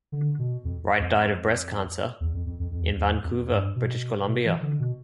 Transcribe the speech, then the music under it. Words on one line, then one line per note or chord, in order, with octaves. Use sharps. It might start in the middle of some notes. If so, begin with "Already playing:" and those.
Wright died of breast cancer in Vancouver, British Columbia.
D3
B2
F2
F2
E2
F2
F2
F2
F2
E2
E2
F2
G2
B2
B2
E3
D3
B2